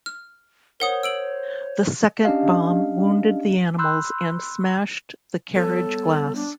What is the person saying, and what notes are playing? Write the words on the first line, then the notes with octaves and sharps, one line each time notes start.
The second bomb wounded the animals and smashed the carriage glass.
F6
A#4 C5 C#5 F#5 D#6
E6 D7 F#7
C#4 D4 G4 D#5 F5
B5 C6 E6 F#6 G6
G3 B3 A4 C#5
D4